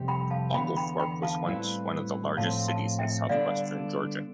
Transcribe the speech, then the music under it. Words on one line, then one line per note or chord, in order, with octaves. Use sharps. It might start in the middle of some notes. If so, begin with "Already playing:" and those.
Oglethorpe was once one of the largest cities in southwestern Georgia.
Already playing: F2 C3 G3 C4 G4
G5 B5
F5 A5
E2 D3 F3 B3 G5 B5
G5 B5
G5 B5
F5 A5
A2 G3 C4 E4 B4
A2 F3 C4 F5 A5
F5 A5
E5 G5
D3 G3 B3 D4 A4 D5 F5